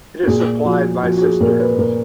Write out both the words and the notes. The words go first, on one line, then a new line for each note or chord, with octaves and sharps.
It is supplied by cisterns.
F#4
A#2 G#4
F3 F#4
F3 F#4
F#4
G#4
A#2 A#4
B4
A#2 A#4